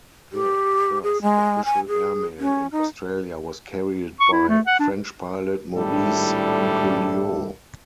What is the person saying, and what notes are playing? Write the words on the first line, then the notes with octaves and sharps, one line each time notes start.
The first official air mail in Australia was carried by French pilot Maurice Guillaux.
G4
G#4
G#3
G#5
G#4
C#4
D#4
C#6
E4
A3
F#5
D4
G#1 A2 G3 D4 E4 A4